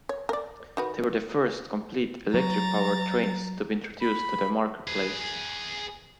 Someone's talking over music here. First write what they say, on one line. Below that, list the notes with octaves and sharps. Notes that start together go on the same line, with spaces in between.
They were the first complete electric-powered trains to be introduced to the marketplace.
C#5
A#4 D5
D#3 F#4 B4
F#3 A#5 A6
B5
G#4 B4